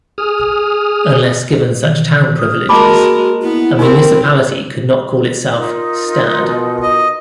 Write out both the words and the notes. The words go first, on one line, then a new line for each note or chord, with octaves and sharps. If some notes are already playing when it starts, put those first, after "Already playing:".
Unless given such town privileges, a municipality could not call itself "stad".
G#4 D#6 F6
B2 D#3 E3
D#6 F6
G#3 A#3 F#4 A#4 A5 B5 D6
B3 E4
C4 D#4 E4 F#4 G4 A#4
D#4 F4 A#4
B2
D#5